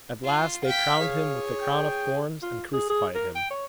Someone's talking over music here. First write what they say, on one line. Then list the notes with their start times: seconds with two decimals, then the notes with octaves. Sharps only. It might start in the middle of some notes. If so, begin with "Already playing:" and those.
At last they crowned Him with the crown of thorns and crucified Him.
0.24 F4
0.65 F5 G5 B6
1.01 G#4 C#5
1.61 G5
2.43 F4
2.73 G#4
2.90 G#4
3.15 A#4
3.35 G5
3.50 C#5